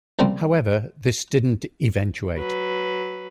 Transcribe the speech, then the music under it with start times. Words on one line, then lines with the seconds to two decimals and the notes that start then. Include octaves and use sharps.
However this didn't eventuate.
0.19 C#2 F3 G3 A#3 C4
2.38 F#3 B4